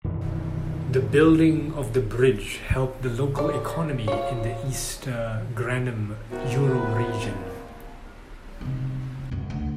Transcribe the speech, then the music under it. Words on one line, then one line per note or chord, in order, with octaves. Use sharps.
The rebuilding of the bridge helped the local economy in the Ister-Granum Euroregion.
F#2 B2 D#3 E3
A4 D5
F4 C#5
C3 D#3 B3 F#4
B4
A#2 D#3 A#3 C4
C3 D#4
C4
C#2 F#2
D2